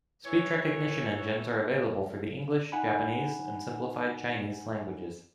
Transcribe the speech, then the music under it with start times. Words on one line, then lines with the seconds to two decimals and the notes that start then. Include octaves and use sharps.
Speech recognition engines are available for the English, Japanese, and Simplified Chinese languages.
0.24 E3 C#5
2.72 D#4 F#5 G#5 B5